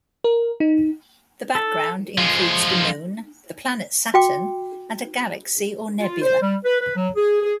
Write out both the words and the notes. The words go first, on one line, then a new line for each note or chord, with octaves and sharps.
The background includes the Moon, the planet Saturn and a galaxy or nebula.
A#4
D#4
A4
F3 G#3
F#4 G5 D6
F4
C5
G3
B4
B4
F#3
G#4
G#4